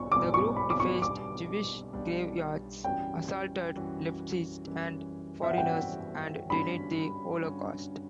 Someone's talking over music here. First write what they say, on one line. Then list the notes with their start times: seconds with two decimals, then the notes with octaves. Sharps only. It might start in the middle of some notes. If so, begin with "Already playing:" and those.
The group defaced Jewish graveyards, assaulted leftists and foreigners, and denied the Holocaust.
Already playing: B1 B2 G3 C#6
0.11 B1 B2 G3 D4 D6
0.34 C#6
0.56 B5
0.70 D6
0.80 C#6
1.02 B1 B2 G3 D4 D6
1.93 B1 B2 G3 D4
2.84 F#2 E3 G3 C#4 F#4 G5
3.76 F#2 E3 G3 C#4 F#4
4.67 F#2 E3 G3 C#4 F#4
5.43 E5
5.51 F#5
5.58 F#2 E3 G3 C#4 F#4 G5
6.50 G2 D3 G3 C#4 F#4 B5
7.41 G2 D3 G3 C#4 F#4